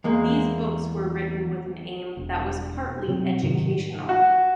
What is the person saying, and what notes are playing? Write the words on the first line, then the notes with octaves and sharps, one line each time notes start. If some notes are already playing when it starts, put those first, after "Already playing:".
These books were written with an aim that was partly educational.
E2 G#3 A#3
E1
B2 F#3 C4
G#2 C3 D#3 F#3
F#4